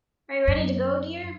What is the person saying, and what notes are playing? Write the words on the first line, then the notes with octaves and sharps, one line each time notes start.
Are you ready to go, dear?
F#2